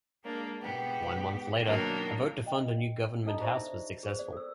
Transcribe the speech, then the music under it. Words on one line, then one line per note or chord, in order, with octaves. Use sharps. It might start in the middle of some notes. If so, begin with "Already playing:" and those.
One month later a vote to fund a new government house was successful.
G#3 A#3 D4
G#2 B2 B3 G4
B2 D#3 F#3 A#3 D4
D#5 G5
D4 D#4 A4 D#5 A5 A#5
G4 C5 D5 E5
G#4 C5
B4 D5
A4 E6